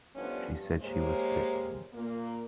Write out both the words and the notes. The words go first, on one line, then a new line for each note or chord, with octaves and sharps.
She said she was sick.
A2 F3 G3 B3 C#4 D4
G2
G#3 A#3 G4 C5 C#5
A#2 A#3